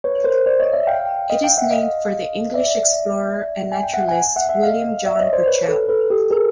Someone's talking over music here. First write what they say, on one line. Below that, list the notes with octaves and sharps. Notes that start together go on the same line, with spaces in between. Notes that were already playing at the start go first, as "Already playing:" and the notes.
It is named for the English explorer and naturalist William John Burchell.
B4 C#5
A#4 C5
C5 D5
C#5 D#5
D5 E5
F5 G5
D#5 F5
F5 G5
E5 F#5
D#5 F5
D5 E5
G#5
G5
E5 F#5
F#5 G#5
E5 F#5
E5 F#5
D#5 F5
D5 E5
D5
C#5 D#5
C5 D5
B4 C#5
A4 B4
A4 B4
G4 A4
G#4 A#4